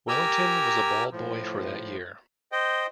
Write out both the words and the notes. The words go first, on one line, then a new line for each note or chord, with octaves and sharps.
Wellington was a ball boy for that year.
G4 A#4 G#5 A#5 E6
A2 F3
C5 D#5 G5